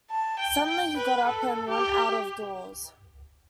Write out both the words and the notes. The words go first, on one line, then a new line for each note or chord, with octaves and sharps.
Suddenly he got up and went out of doors.
A5
G5
G5
B4
A4
G4